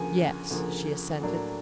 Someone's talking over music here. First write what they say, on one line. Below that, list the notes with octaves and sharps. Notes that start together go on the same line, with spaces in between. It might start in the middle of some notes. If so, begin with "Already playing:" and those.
"Yes," she assented.
Already playing: D2 C#3 F3 A#3 G#5
D2 C#3 F3 A#3
A2 F#3 A#3 D4